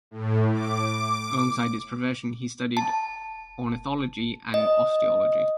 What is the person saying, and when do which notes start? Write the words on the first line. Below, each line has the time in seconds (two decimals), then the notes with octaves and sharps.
Alongside his profession he studied ornithology and osteology.
0.11 A2
0.52 D6
2.77 A5
4.54 D#5